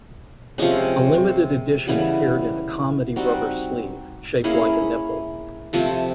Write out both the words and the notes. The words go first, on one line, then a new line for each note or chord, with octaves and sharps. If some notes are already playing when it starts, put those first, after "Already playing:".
A limited edition appeared in a comedy rubber sleeve, shaped like a nipple.
C3 F3 G#3 C#4
C#3 E3 G3 B3
G3 C4 D#4 F#4
A#3 C#4 E4 G#4
C3 F3 A3